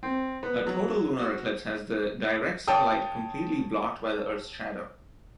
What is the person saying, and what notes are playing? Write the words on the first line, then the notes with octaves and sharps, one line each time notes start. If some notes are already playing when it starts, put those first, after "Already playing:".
A total lunar eclipse has the direct sunlight completely blocked by the earth's shadow.
C4
B3
F#3
F#4
C#5 G5 A5 D#6